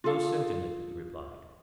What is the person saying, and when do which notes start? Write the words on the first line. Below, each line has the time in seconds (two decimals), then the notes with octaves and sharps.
Most certainly, he replied.
0.04 F4 G#4 A4 F5